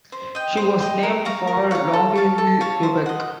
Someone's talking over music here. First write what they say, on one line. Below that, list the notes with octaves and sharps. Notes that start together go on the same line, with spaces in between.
She was named for Longueuil, Quebec.
C5
D#5 G5
C5
D#5 G5
A#4
C#5 F5 A#5
A#4
C#5 F5 A#5
A4
C#5 F5 A5
A4
C#5 F5 A5
C5
D#5 F#5